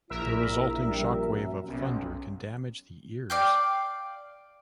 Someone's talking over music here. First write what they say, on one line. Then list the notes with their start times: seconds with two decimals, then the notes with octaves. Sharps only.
The resulting shock wave of thunder can damage the ears.
0.10 A#1 E4 A#4 E5
0.84 G3
1.28 F#2
1.69 B1 C#4
3.30 D5 F5 G5